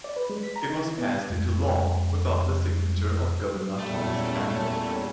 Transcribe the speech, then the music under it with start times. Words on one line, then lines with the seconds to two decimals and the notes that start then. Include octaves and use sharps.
It was passed into law without the signature of Governor Thomas Campbell.
0.04 D5
0.16 B4
0.29 G#3
0.43 B6
0.56 A#5
0.70 D#4
0.84 E4
0.98 B3
1.30 F2 G#3
3.78 E2 A#2 G3 A3 C#4